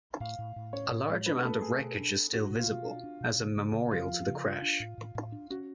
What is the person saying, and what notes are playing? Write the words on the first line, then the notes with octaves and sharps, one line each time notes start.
A large amount of wreckage is still visible, as a memorial to the crash.
A2 F5
A2
A2
C#4 C#5
A2
G#3
D4 B4
B4
A3 A4
A3 G#4
B2
D4
D4
D4 F#4
B2
F4
B2
D4
D4
B2
C#3
C#3
C#3
F3 F4
F3
C#3
D4 F4
D4
A2
A2
A2
D4
C#4 F#4